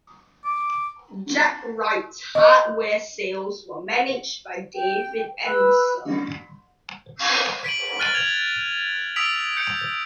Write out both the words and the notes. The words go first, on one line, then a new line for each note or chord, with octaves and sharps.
Jacq-Rite's hardware sales were managed by David Ensor.
D6
D#5
G5
B4 B5 E6 F#6
D#7
B6 D7 D#7 F#7
F6 F#6 A6 D#7 F#7
G#6 F7
D#6 E6 B6 D7 F7 F#7
G6 C#7 D7